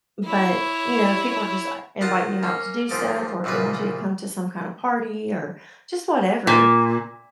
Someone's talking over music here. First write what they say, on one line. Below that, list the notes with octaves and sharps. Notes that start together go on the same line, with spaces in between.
But, you know, if people are just like, inviting you out to do stuff or if they want you to come to some kind of party or just whatever,
E4 C#5
D#3 F4 F#5 A5
A#3 C#4
D#2 G#2 F3 D5 D6
A#1 F#2 A#2 C#3 B4
A#2